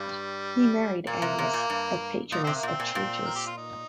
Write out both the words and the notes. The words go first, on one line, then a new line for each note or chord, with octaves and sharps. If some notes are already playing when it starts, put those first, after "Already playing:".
He married Agnes, a patroness of churches.
Already playing: G2 G3
A#2 A#3
C3
C3
A#2
G2
A#2 D#4
C3 C4
A#3
A#2 C4
A#2
A#2
A#4
G4
F4
D#4